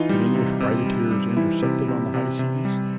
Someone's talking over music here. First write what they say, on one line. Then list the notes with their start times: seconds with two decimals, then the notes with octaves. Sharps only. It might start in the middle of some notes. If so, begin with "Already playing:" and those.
Could English privateers intercept it on the high seas?
Already playing: E3 D#4 F4
0.09 G3
0.35 C3
0.60 C3
0.86 G3
1.11 G3
1.37 E3 E4
1.62 C3
1.88 C3
2.14 C3
2.39 C3
2.65 G3